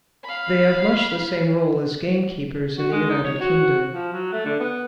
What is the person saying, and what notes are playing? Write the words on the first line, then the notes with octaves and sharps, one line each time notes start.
They have much the same role as gamekeepers in the United Kingdom.
F5 B5
F#4
G#3
D#4
C#5
F#4
F3
F#3
A3
D3
B3